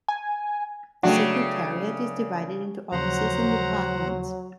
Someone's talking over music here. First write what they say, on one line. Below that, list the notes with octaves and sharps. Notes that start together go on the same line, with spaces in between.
The Secretariat is divided into offices and departments.
G#5
C#3 F#3 A3 D4 F#4 G5
D#2 C#3 F3 F#3 C5 F#5 A#5